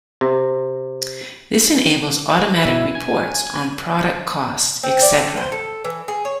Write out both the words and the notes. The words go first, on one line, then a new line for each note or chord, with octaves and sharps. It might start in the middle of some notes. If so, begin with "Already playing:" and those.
This enables automatic reports on product costs, etc.
C3
B2 E4
G#5
C4
D5
A3
C5
A4
E3
G#4
C#5